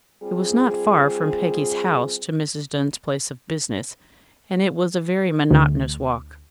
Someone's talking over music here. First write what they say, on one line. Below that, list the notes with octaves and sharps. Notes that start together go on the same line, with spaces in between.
It was not far from Peggy's house to Mrs. Dunn's place of business, and it was a very monotonous walk.
G3 C4 F4 G#4
D2